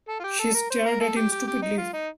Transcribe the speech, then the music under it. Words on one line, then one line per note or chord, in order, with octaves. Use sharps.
She stared at him stupidly.
A4
F4
G4
A4
A#4
C5
A#4
A4
G4
G4
G4
D#4
F4
D#4